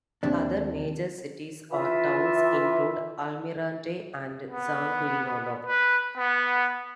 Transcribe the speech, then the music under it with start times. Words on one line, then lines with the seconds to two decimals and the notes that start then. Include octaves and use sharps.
Other major cities or towns include Almirante and Changuinola.
0.23 D#2 C3 D4
1.71 E3 F4 E5
4.51 B3
5.66 B4
6.17 B3